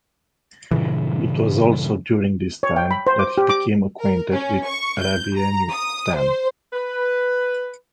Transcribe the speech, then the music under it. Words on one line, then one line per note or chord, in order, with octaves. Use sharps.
It was also during this time that he became acquainted with Rabbeinu Tam.
G2 A#2 C#3 E3
C#5
G5
B5
C5
D6
G4
D6
A#4
C#4
C#6
G6
A#5
D#6
C5
B4